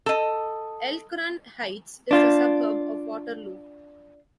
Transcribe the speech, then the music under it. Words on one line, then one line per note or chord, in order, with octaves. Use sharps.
Elk Run Heights is a suburb of Waterloo.
A4 D#5
D4 F4